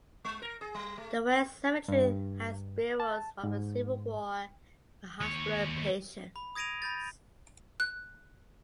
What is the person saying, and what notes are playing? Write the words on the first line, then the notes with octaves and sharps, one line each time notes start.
The West cemetery has burials from the Civil War and hospital patients.
G#3
A#4
G#4
G3
A3
G2
A5
G#2
D#2 C#5
B5
D#6 G#6 A#6 D7 D#7 F7
B5 G6 A6
F#6